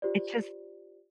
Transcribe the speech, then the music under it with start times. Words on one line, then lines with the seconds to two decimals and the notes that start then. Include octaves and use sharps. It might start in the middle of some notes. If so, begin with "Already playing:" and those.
it's just
0.02 F4 G4 C5 D5